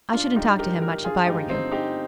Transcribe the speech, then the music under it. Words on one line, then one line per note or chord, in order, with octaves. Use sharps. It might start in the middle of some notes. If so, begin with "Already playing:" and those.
I shouldn't talk to him much if I were you.
G2 D4 F4
D#4 G4
G3
G4 A#4
D3
G4 A#4
G2 F4 G#4
D#4 G4
F3
C4 D#4
D3
D#4 G4